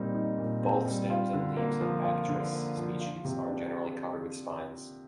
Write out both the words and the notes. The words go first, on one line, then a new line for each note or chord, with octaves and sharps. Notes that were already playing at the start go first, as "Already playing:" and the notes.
Both stems and leaves of "Bactris" species are generally covered with spines.
Already playing: A#2 G3 C4 D#4
D#4
A#2
C4
G3
F4
D3
A#3
F3
F4
D3
A#3
F3
F4
C3
D4